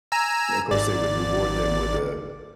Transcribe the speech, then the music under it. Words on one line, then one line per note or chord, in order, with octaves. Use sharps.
of course, they would reward them with a
G#5 A#5 E6
G#1 D5